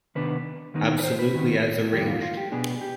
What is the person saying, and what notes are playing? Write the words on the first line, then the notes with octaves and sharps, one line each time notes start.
Absolutely as arranged.
C3 D#3 B3 D4 B4
D#2 D#3 B3 D#4
B4
C5
B4
D#2 D#3 B3
F2 D#3 G3 B3 G4
F4
F4
G4
B2 B3 D4 G#4
G4